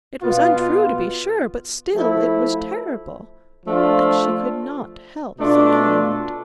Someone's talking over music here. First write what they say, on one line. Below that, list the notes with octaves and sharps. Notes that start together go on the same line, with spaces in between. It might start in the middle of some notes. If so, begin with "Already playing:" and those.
It was untrue to be sure, but still it was terrible, and she could not help thinking of it.
B2 B3 F4
F3 A3 E4
F3 A3 D4 F4
B2 A3 D4 F4